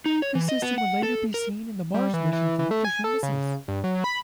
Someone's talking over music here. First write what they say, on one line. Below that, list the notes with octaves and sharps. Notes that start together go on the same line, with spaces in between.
This system would later be seen in the "Mars Mission" theme to shoot missiles.
D#4
C#5
E3
D#5
B3
F#5
A4
A#4
G3
E3
E3
E3
A3
G#5
A4
C#3
G2
F#3
B5